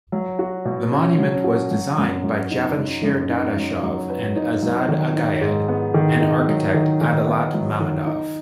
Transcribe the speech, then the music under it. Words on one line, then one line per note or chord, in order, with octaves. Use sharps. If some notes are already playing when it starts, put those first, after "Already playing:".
The monument was designed by Javanshir Dadashov and Azad Agayed, and architect Adalat Mammadov.
F#3
F#4
B2
C#4
F#3
F#4
F#3
F#2
F#2
D#4
F#3
F#2
D#4
F#3
F#3
B4
D#4
F#3
D#3
D#4
G#2
B3
D#3
D#4
F#3
D#3
D#3
B3
F#3
D#3
D#4